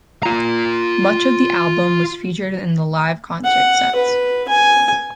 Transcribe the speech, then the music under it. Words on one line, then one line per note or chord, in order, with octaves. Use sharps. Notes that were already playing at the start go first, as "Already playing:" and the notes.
Much of the album was featured in the live concert sets.
F4 A#5
F#5
B4
G#5